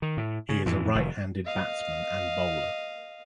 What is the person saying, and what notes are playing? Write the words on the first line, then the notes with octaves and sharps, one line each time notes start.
He is a right-handed batsman and bowler.
D#3
A2
C#3
F2 A2 E3
F1 D#3
D#5 F5